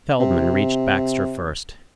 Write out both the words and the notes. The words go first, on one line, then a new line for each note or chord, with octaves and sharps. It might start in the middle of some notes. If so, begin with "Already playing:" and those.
Feldman reached Baxter first.
C3